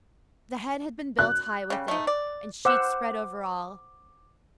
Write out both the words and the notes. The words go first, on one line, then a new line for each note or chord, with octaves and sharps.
The head had been built high with it, and sheets spread over all.
F#6
C#3 G3
A3 D#4
D5
C5 F#5 D6 E6